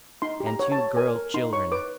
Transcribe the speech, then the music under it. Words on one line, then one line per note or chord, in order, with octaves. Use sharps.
And two girl children.
D#4 C6
G4
A#5
C#5
A5
C#5
A#4 G#5
A#4
D#4 C6
C#5 C#6
B4 D6